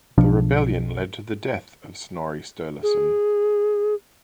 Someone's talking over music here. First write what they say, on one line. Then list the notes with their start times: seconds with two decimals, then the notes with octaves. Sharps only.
The rebellion led to the death of Snorri Sturluson.
0.18 B1 B2 F3 D4
2.83 G#4